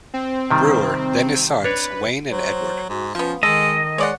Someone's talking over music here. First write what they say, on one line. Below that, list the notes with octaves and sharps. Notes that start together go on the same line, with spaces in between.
Brewer, then his sons, Wayne and Edward.
C4
C3 D#3 G3
D4 B4 C#5
F#3 C5
G#2 F#4
F3 B3 C#4 F4
D#3 G#3 A4 D#5
G#3 C#5 D5 F#5